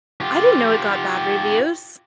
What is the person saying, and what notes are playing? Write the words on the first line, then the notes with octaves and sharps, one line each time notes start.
I didn't know it got bad reviews.
F4 G4